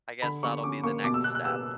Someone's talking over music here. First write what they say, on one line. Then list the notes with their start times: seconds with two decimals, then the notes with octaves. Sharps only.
I guess that'll be the next step.
0.22 D3 B5
0.43 D3 C#6
0.64 C#4 D6
0.84 A#3 C#6
1.04 B2 D6
1.14 E6
1.24 B2 F#6
1.35 F#6
1.45 B3 E6